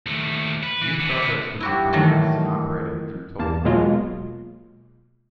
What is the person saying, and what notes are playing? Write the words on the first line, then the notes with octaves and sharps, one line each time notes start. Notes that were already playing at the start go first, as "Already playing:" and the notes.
These projects would be financed and operated through toll funding.
D#2 A3
B4
E3
D3 B3
E4 F#4 G4
D#3 E3 F#3 A3
E2 A#3 A5
B2 F#3 G#3 A#3 F4